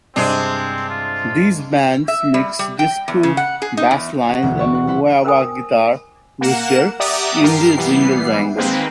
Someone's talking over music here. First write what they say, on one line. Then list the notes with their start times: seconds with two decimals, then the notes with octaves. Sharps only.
These bands mixed disco basslines and wah-wah guitar with their indie jingle-jangle.
0.16 G2 C3 G#3 C4 D4
0.90 F4
2.08 E5
2.34 G3
2.59 G3
2.79 G5
3.08 E2
3.23 C#3
3.37 F#5
3.62 G#4
3.77 D#4
3.91 E2
4.29 B3 C#4 G#4 F#5
4.42 E1 D2
4.58 B4 D5 C#6
4.75 F#5
4.87 G3 E4 E5 F#5 C6 B6
5.25 A#4 C5 G5 G#5 D#6
6.41 A#3 A#4 F#5 E7
7.00 G4 D5 E5 F#5 A#5 D#6
7.41 G2 G4 A#4 C7
7.77 E3 G3 B3 C7
8.56 D#3 G#3 A#3 C4 B4